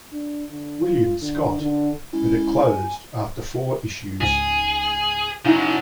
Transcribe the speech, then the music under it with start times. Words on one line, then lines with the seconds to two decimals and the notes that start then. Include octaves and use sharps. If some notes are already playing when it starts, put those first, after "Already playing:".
William Scott; but it closed after four issues.
0.12 D4
0.50 D3
0.82 F4
1.22 D3
1.60 D3
2.13 G#3 C#4 E4
2.64 G#5
4.21 C#2 G#2 G#4
5.45 C#3 F#3 D#4 E4 F#5